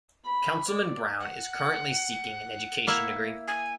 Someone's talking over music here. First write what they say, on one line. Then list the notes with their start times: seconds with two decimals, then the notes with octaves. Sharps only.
Councilman Brown is currently seeking an education degree.
0.24 B5
0.68 D5
1.20 F#5
2.87 A#3 E4 E5
3.47 G#5